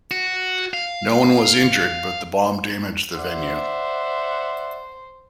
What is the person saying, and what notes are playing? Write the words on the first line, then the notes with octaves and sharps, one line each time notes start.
No one was injured, but the bomb damaged the venue.
F#4
F5
C5 D5 E5 F#5